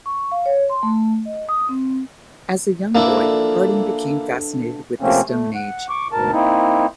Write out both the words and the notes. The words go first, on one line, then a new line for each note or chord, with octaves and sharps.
As a young boy, Harding became fascinated with the Stone Age.
C#6
F5
C#5
C6
A3
D#5
D#6
C4
D3 E3 F3 A#3 D4 E4
C3 F3 A3 A#3 C4 C#4
A3
F#5
C#6 D6
D2 G#2 B2 A#4 A5
A#3 C4 D#4 E4